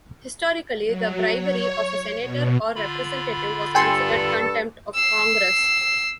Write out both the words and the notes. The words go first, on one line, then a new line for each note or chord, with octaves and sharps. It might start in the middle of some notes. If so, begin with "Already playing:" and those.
Historically, the bribery of a senator or representative was considered contempt of Congress.
F#3
C#5
B2
D3 F4 B5
G2 A4 G5 G#5 C6
E6 C7